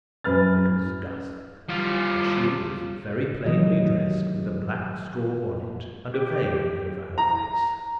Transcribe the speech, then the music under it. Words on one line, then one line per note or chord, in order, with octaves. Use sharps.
It was dusk, and she was very plainly dressed, with a black straw bonnet, and a veil over her face.
F#2 B4 F6 A6
G3 F4
C3 D#3 E3 F#3 D#5
G4
A#5